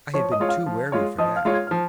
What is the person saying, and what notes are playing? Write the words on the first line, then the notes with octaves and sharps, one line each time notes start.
I had been too wary for that.
F3 C#5 C#6
D#5 D#6
G#3 F4 C#5
F5 F6
F3
G#3 F4 C#5
F3 D#5 D#6
F5 F6
G#3 F4 C#5
G#6
F3 F6